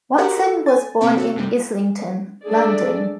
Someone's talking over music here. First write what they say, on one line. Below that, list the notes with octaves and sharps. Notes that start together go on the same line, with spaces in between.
Watson was born in Islington, London.
F#4 G4 A#4 F#5 A#5
A4
G#5 A6
C3 B3 C4 A4
F#4 A4
F#2 C3 G3
A3 D4 G#4 A4 D5